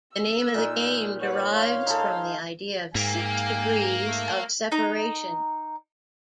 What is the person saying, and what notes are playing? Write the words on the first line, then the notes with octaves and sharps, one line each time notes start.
The name of the game derives from the idea of six degrees of separation.
E6
A#2 D#4
B4 C#5 F#5
F5 C6
D#4 G#4 A4
G#2 A#3 E5 G5 G#5
A3
D#4 A#5